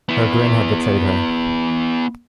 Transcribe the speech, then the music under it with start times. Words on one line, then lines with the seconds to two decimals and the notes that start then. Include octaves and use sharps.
Her grin had betrayed her.
0.09 B3 E4